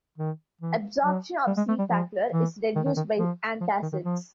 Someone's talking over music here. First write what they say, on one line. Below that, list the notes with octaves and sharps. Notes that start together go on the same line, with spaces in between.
Absorption of cefaclor is reduced by antacids.
D#3
E3
F#3
G3
G#3
A3
G3
F3
E3
D#3
D#3
D#3
F3
F3
D#3
D#3
F3